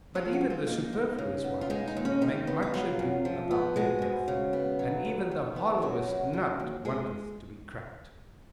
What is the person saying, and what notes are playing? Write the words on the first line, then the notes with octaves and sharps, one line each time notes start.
But even the superfluous ones make much ado about their death, and even the hollowest nut wanteth to be cracked.
F3 F4
F#4
G#2
F4
A#3 D#4
G#2
C#3
B3
F4
G#3 D#4
D#4
D#2
C#4
D#3 D#4
B3
D#4
F#3 F4
F#2
F3
B3
G#3 F#4
G#2
C#3
B3
F#3
D#2
D#3
B3
F#3 F#4
F#2
D#3
D#2
G#3 G#4